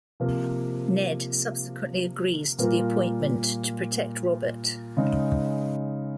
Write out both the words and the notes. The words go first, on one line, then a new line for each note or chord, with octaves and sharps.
Ned subsequently agrees to the appointment to protect Robert.
C3 F3 A#3
A#2 G3 A#3 F4 A#4
C#3 G#3 D#4